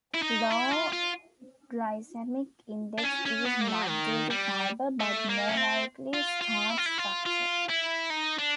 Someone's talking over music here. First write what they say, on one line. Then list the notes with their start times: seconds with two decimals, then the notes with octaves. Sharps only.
Low glycemic index is not due to fiber but more likely starch structure.
0.14 E4
0.22 D#4
0.50 E4
0.71 F4
0.93 F4
2.98 D4
3.03 C#4
3.25 C#4
3.46 B3
3.61 A#3
3.67 A3
3.88 D#3
4.30 G3
5.00 A3
5.29 A#3
5.48 C#4
5.57 C4
6.13 F4
6.41 F4
6.70 E4
6.78 F4
6.86 E4
6.98 F4
7.26 F4
7.69 E4
8.10 D#4
8.39 D4